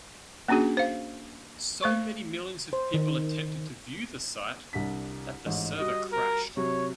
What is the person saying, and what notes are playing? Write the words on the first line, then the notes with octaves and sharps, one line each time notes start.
So many millions of people attempted to view the site that the server crashed.
A#3 C#4 D4 F#4 G#4
C5 F5
A3 C5 C#6
C5
D#3
C2 D4 B6
A1 G#2
G3 F#4 D#5
A#4
C3 F#3 C#5